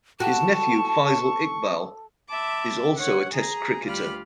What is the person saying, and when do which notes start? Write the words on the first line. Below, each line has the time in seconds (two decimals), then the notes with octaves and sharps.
His nephew, Faisal Iqbal, is also a Test cricketer.
0.20 F#4 G4 A4 A5 C#6
2.29 E5 A5 B5 D6
2.97 C#5 F#5
3.34 G#4 A#5
3.84 D2 G3 F4 G4 B5 F6